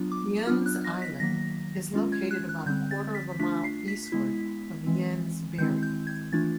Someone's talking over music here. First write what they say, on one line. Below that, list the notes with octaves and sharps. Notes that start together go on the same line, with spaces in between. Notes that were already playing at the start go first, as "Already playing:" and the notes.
Ynys Eilun is located about a quarter of a mile eastward of Ynys Bery.
Already playing: F#3 B3 D4 F4
D6
F#3 B3 D4 F4 F6
F#6
A#6
B6
D#3 F#3 A#3 A#6
G#3 C#4 F4
G#6
F#6
F#6
D3 G3 C4 G6
A6
B6
A3 D4 F4 B6
C7
B6
G#3 B3 E4
E3 G#3 C4
D#3 G#3 C4 E4 G6
G6
G#6
E3 A3 D4 F4 A6